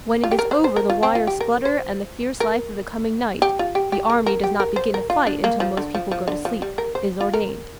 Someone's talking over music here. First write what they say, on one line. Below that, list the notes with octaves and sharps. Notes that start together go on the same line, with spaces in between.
When it is over the wires splutter and the fierce life of the coming night--the Army does not begin to fight until most people go to sleep--is ordained.
F4
G4
A#4
C5
C5
A#4
F4
C4
F4
G4
A#4
C5
A#4
G4
F4
G4
G4
A#4
A#4
G4
A#4
C5
A#4
F4
D4
A#3
F3
D3
F3
F3
D3
F3
G3
A#4
C5
F4
A#4